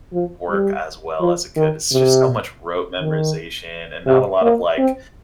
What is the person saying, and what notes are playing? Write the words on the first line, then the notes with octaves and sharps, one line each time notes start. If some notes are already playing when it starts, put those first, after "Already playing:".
work as well as it could, it's just so much rote memorization and not a lot of, like,
F3
G3
F3
D#3
C3
D#3
C3
A#3
C4